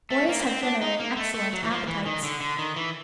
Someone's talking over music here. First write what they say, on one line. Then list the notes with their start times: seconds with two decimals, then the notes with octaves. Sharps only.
Boys have generally excellent appetites.
0.11 A3
0.29 A#3
0.40 B3
0.46 C4
0.63 D4
0.81 D#4
0.99 A#3
1.17 A3
1.34 A3
1.53 F#3
1.64 E3
1.71 F3
1.87 E3
2.06 D#3
2.23 D3
2.41 D3
2.59 D#3
2.76 E3